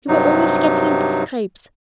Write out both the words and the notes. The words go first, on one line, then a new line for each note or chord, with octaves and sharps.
You were always getting into scrapes.
G2 C3 F#3 D#4